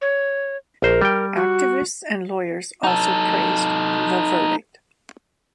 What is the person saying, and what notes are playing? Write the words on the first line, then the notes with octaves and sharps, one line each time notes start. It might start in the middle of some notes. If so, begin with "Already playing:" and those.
Activists and lawyers also praised the verdict.
C#5
A#1 A#4 C5
G3 G5
F#4
D#4 A4